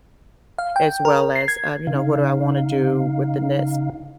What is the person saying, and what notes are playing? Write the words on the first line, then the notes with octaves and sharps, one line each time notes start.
as well as, uh, you know, what do I wanna do with the next,
F5
G5
A#4
C7
G#6
C#3 D#4 F5